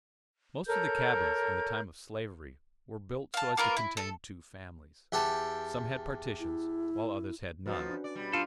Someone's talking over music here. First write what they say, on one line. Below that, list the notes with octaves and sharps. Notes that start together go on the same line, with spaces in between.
Most of the cabins in the time of slavery were built so as to contain two families; some had partitions, while others had none.
A4 A#4 C#5 G6
F5 A5
A#3 F4 A#4 B4
E4
A4
E2 G4 A4
E4
F2 F3 C#4 D#4 F#4 B4
D4
D5
B2 G3
D4 F4 A4